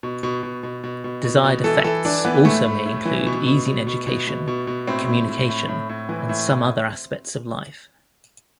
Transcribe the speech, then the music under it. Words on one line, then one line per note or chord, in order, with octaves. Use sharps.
Desired effects also may include easing education, communication and some other aspects of life.
B2
B2
B2
B2
B2
B2
B2
B2
E3 A4
E3 A4
E3 D4
E3 B3
A2 A3
A2
A2
E3
B2
B2
B2
B2
B2
B2
B2
B2
A2 C4
A2
A2
A2
A2
A2
E3
A2